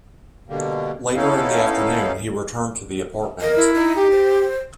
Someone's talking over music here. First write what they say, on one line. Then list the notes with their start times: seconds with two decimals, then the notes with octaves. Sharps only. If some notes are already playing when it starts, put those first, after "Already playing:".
Later in the afternoon he returned to the apartment.
0.48 B2 D3 G3 A#3
1.15 B3 C#4 D#4 E4 A4 F5
3.41 A#4 D#5
3.56 E4
3.74 D#4
3.96 G4
4.10 C5